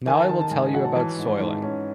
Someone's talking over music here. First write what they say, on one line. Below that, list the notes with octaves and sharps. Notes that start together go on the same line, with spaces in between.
Now I will tell you about soiling.
D#3 G#5
A5
D#3 A5
A5
G#2 G#5
G#5
F#3 F#5
A5
E3 A5
G#2
G#2
C#4